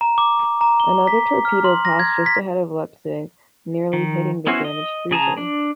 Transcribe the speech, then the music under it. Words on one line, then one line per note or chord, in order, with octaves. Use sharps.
Another torpedo passed just ahead of "Leipzig", nearly hitting the damaged cruiser.
A#5
D6
A#5
G7
B6
F6
C6
A#6
G#6
B6
D#3
B3 C#4 E4 F#4 C5
D#5
C#3 G#4 A5 A#5
D4